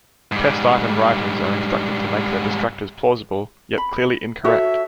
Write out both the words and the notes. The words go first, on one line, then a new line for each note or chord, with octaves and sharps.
Test item writers are instructed to make their distractors plausible yet clearly incorrect.
G#2 G3
B5
F#4 A4 C#5 E5